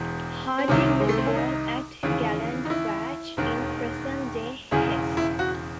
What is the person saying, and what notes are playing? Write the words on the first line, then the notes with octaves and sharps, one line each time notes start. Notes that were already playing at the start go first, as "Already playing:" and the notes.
Hartig was born at Gladenbach, in present-day Hesse.
Already playing: E1 E2 E3
C4
C2 C3 D#3 C#4
G#3
A3
C4
C#4
D#4
D#2 C#3 E3
D#4
E4
E1 D#2 D#3
E1 E2 C#3 E3 G#4
E4
F#4